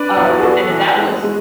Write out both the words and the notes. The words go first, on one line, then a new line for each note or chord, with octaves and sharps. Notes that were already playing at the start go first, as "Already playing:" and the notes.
Um, and that was
Already playing: D4 B4 D5
E2
E4
F#4
G#4
B3 F#4 A4
E3
G#3
G#3